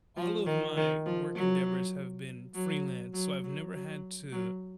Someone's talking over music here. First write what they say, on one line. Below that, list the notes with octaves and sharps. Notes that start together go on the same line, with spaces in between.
all of my work endeavors have been freelance, so I've never had to
F3
D#3
D#3
F3
F#3
F#3
F#3
F#3
F#3
F#3